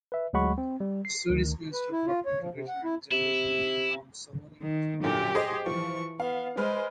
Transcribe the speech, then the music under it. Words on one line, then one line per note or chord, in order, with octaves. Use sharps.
The Swedish Minister for Integration and Gender Equality, Nyamko Sabuni, was born in Burundi.
B4 E5
D2 F#3 G#3 F#5 B5 C#6
C4
G3
C7
D2 D#3
B4
E4
F4
C#5
F3
C3
F#5
E4
C3 E4
D#3
F#2 A#2 D3 G4
G#4 C5 D#5
E3 F3 C#6
B3 F5
G#3 B4 C5 D#5 F6